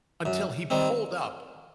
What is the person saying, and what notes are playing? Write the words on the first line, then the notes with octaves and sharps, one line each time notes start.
until he pulled up?
F#2
D#3 G3 C4